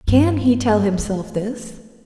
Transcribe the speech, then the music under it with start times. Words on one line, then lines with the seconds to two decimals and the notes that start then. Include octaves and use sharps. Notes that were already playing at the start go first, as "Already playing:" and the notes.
Can he tell himself this?
0.08 G2
0.98 A3